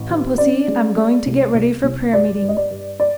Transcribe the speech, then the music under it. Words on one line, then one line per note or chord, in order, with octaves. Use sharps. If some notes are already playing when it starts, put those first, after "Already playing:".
Come, pussy, I'm going to get ready for prayer meeting.
Already playing: A1
D#3
C#4 D5
G#3
G#3
C2
C2
C2
G2 D5
G2
D#5
D5
G2
D5